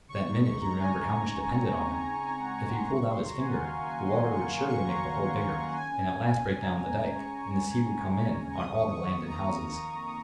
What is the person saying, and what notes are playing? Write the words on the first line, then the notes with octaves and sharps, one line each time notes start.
But that minute he remembered how much depended on him; if he pulled out his finger, the water would surely make the hole bigger, and at last break down the dike, and the sea would come in on all the land and houses.
C#3 C#6
D#4 C#6
G#3 C#6
C#3 A#5
C#3 G#5
D#4
G#3
C#3
C4
C4
C#3
G#3
C4 G#5
D#4 F#5
G#3 G#5
C#3 C6
F#3 C#6
F#3 C6
D#3 A#5
G#5
A#3 F#5
F#3 F5
A#3
G#5
D#3
C6
D#3
F#3 C#6
A#3 C#6
D#3 C#6
F#3 A#5
D#3
D#3
D#3
D#3
F#5
C#3 G#5
C#4
C#3
C#3
C#3 G#5
C#4 A#5
G#3 G#5
C#3 A#5
C#3 C#6
C#3
C#3
C#3
G#3
G#3
C#4
C#3
C#6
F2 D#6
D#3 C#6
D#3 C#6
A#3
F2 A#5
A#3
A#3
A#3
D#3